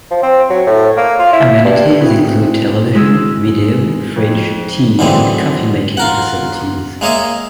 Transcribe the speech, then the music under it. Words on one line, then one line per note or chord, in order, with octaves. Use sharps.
Amenities include television, video, fridge, tea and coffee making facilities.
F3
C4
F#3
A2
A#3
F4
E4
G2
B3 C4 E4 F#4 G#4
G#3 G#4 C6 E6
F2
F#2 D3 E3 G#3 C4
F4 A#4 F#5
G#3 A#3 C#5 D#5 E5